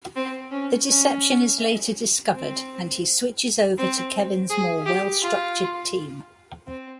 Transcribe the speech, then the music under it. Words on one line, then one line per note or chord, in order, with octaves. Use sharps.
The deception is later discovered and he switches over to Kevin's more well-structured team.
C4
C#4
C#4
C4
C4
G#4
G4
F4
C4